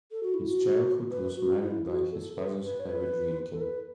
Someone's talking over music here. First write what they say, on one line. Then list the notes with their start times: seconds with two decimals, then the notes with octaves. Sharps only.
His childhood was marred by his father's heavy drinking.
0.12 A4
0.23 F#4
0.34 E4
0.47 F#4
1.11 B4
1.36 F#4
1.61 E4
1.86 F#4
2.12 A4
2.36 B4
2.62 B4
2.80 C#5
2.86 B4
3.52 A4
3.61 B4